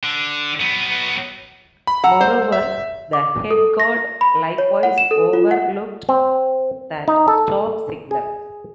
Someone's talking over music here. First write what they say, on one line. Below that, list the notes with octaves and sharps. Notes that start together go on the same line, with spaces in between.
Moreover, the head guard likewise overlooked that "stop" signal.
D3
F#3 B3
B5
F#5 A#5 E6
C5
E5
D6
A4
A#6
B5
C#5
F#5
E7
A4
F4
F#5
C4
D#4
A4
G#4